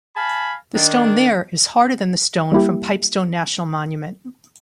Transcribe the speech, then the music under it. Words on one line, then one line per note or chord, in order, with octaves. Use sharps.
The stone there is harder than the stone from Pipestone National Monument.
F5 G#5 A5 B5
D#3 D4
G3 A#3 E4 G4